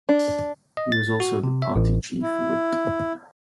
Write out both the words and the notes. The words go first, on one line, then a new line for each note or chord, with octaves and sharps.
He was also the party Chief Whip.
D4
D#5
A6
F#4
C3
E5
A1
E4